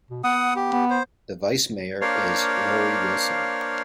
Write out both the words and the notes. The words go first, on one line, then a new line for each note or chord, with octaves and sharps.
The Vice Mayor is Lori Wilson.
B2
B3 F#5 D#6
G4
B3
C5
A#3 D4 C5 C#5 F5